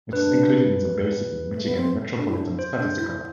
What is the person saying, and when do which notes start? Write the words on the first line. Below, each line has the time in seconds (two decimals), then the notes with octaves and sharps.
It is included in the Bay City, Michigan Metropolitan Statistical Area.
0.13 D4 B4
1.53 A3
1.65 B3
1.76 C4
2.18 D4
2.28 E4
2.38 D4
2.59 C5
2.79 D4
2.99 E4